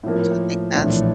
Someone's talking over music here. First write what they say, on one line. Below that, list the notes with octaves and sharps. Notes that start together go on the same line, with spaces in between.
So, I think that's,
A2 F3 A#3
A#1 A2 E3 A3 D4